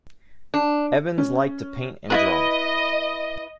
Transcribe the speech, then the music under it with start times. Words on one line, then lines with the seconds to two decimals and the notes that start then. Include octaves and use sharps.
Evans liked to paint and draw.
0.54 D4
1.18 C#4
2.10 E4 F4 B4 D#5